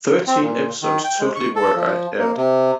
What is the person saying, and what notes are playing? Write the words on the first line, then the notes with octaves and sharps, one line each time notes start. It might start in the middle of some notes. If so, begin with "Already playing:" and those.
Thirteen episodes total were aired.
C4
A#2
D#3
G5
G#3
C#6
A4
F3
A#3
C3